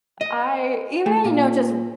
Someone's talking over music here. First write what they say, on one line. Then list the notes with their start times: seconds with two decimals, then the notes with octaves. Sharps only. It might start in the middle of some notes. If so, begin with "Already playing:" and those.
I, even, you know just
0.21 D#5
1.06 A3
1.25 A#2